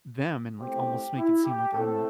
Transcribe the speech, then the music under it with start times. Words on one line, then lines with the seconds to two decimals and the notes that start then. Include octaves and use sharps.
them," and, like, almost make it seem like I'm
0.59 C2 C3 A3 C4 G4
1.16 E4
1.44 G4
1.72 A2 A3 C4 A4